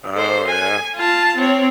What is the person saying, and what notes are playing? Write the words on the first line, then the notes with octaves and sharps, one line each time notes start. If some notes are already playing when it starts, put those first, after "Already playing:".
Oh, yeah.
A4 C5
G#5
F4 A5
C4 C#5